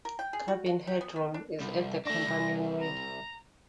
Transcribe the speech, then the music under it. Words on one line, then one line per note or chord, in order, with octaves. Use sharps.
Cabin headroom is at the companionway.
A#4
G5
G#4
F#4
F#4
G4
B3
B3
D4
C2
A3 D4 A#6
C2
A#5